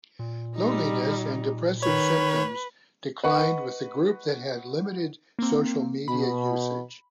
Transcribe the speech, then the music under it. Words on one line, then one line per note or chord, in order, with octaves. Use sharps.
Loneliness and depressive symptoms declined with the group that had limited social media usage.
A#2
G3 D#4
D#3 B4 C#5
B4 D#5 F#5 C#6
A#3 C4
B2 B5